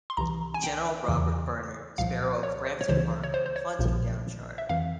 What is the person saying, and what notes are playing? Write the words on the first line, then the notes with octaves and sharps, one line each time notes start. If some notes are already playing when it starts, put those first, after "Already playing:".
General Robert Bernard Sparrow of Brampton Park, Huntingdonshire.
C6
C2 C3 E3 A#5
G#5
G5
E2 C#3 E3
C2 A#2 F3 F5
C#5
C5
C#5
C#2 C#3 E3 C5
C#5
C5
C5
C#5
A#1 A#2 F3
E5
F2 E3 F5